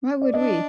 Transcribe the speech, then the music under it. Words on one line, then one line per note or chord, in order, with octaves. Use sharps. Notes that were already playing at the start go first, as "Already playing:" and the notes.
Why would we?
D5
D4 D#5